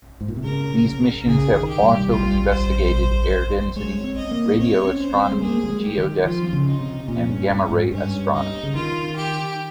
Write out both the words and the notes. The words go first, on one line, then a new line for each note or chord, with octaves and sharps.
These missions have also investigated air density, radio astronomy, geodesy, and gamma ray astronomy.
G#2
A#2
C3
C#3 A#4
C#3 G#4
D#3
G4
G3
F4
C5
G#3 C#5
C4
D#5
A#3
A#3
C4 C#5
C#4
C5
C4
G#3
A#3 G#4
G3
G#3
G4
D#3
F3 F4
C#3
D#4
C3
A#2 C#4
G2
G2
G#2
G2 C#4
D#4
C#3
D#3 F4
G4